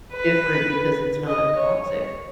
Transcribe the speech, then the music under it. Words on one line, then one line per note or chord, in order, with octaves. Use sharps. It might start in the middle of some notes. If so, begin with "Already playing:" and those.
different because it's not toxic.
B4
D#5
C#5
C#5